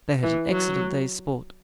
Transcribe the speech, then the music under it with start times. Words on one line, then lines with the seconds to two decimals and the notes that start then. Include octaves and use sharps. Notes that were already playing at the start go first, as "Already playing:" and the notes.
They had an excellent day's sport.
0.23 E3
0.52 F#3